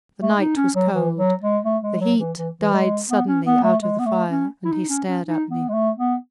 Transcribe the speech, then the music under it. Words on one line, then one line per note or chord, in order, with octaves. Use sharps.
The night was cold; the heat died suddenly out of the fire, and he stared at me.
A3
D#4
C#4
F#3
E3
F#3
G#3
A3
G#3
F#3
E3
E3
E3
G#3
B3
C#4
B3
A3
G#3
B3
A3
C#4
E4
D#4
C#4
C#4
D#4
B3
G#3
A3
B3